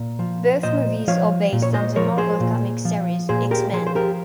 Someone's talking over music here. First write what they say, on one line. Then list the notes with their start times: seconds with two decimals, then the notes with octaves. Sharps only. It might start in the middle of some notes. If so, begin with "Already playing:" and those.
Both movies are based on the Marvel Comics series "X-Men".
Already playing: A#2
0.19 F3
0.63 A#2 C5 D#5
1.07 F3 C#5 F5
1.53 A#2
1.62 C#5
1.74 C5 D#5
1.96 F3 A#4 C#5
2.18 G#4 C5
2.40 A#2
2.85 F3
3.29 A#2 G#4 C5
3.51 G4 A#4
3.73 F3 G#4 C5
3.87 C5
3.95 G4 A#4